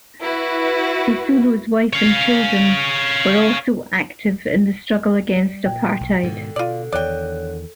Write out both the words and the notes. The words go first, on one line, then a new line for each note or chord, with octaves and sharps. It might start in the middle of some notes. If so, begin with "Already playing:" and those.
Sisulu's wife and children were also active in the struggle against apartheid.
E4 F#4 B4
C#5 F5
G3
A#2 G5
B1
G#2 B2 D3 D#3
B2 F4 D5
E2 D#3 C#5 D5 G5 F#6